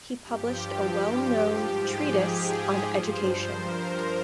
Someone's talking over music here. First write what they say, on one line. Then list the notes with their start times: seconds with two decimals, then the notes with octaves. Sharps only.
He published a well-known treatise on education.
0.24 G2 F3 G4
1.53 G#2 F3 G4
1.86 G#4
2.18 G#4
2.82 G2 F3 C5
3.47 A#4